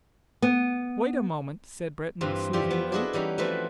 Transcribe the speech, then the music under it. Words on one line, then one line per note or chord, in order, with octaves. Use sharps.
"Wait a moment," said Breton, soothingly.
B3
G2 E3 C4 F4
F2 G3 F4 G4 E5 G5
F3 B3
D4 E4 F#4 G#4 A4 D#5
E3 G3 C#4 D#4
E3 F3 A3 C4 F#4 B4